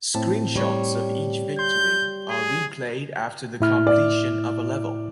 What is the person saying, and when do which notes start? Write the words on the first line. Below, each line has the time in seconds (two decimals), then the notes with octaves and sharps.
Screenshots of each victory are replayed after the completion of a level.
0.15 A2 C4 A5
0.56 G3 C#5
1.59 C6 G6
2.30 G#4
3.60 A2 E4 F6
3.87 D5